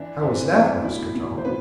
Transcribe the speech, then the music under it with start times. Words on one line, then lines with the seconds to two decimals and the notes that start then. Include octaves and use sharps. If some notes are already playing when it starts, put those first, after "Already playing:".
"How is that, Mousqueton?"
Already playing: E3 D4
0.22 E3 C4
0.53 A2 D4
0.84 B2 E4
1.15 B2
1.38 C5
1.45 B2 B4